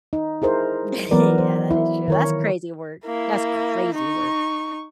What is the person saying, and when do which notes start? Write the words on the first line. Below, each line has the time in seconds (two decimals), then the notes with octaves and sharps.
Yeah, that is true, that's crazy work. That's crazy work.
0.13 D#4
0.42 E4 G#4 A#4 C5
1.11 E3 F#3 B3 A#4 B4 D5
1.38 C5
1.71 E4
2.08 D#3 A#4 C#5
3.06 A#3 E4
3.95 D#4 C#6